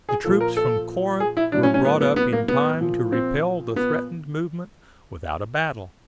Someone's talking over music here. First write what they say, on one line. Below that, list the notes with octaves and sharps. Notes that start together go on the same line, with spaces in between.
The troops from Corinth were brought up in time to repel the threatened movement without a battle.
G#4
A#2 F3 A4
A#4
A4
G#4
E4
A2 F#3 D4
C#4
C#4
B3
B3
B3
A#3
B3
A#2 F3
C4
B3